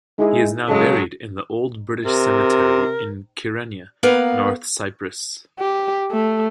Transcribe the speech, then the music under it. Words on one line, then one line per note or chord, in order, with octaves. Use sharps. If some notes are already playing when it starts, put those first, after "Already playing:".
He is now buried in The Old British Cemetery in Kyrenia, North Cyprus.
G#3 D#4 E4 G#4
C#3 F#3 G#3 A4 D#5
C3 A#4
A#3 B3 A#4 B4 F5
G4
A3